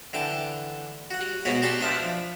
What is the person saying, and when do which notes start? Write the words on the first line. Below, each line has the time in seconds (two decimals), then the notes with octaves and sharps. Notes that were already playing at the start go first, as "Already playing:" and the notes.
things that we like
0.13 D3 E3 G5 A5
1.11 F#4 F#5
1.45 G#2 B2 F#4 B4 C#5
1.62 F#4 G4 D5 A5 C6 C#6
1.79 D4 B4 E5
2.02 F3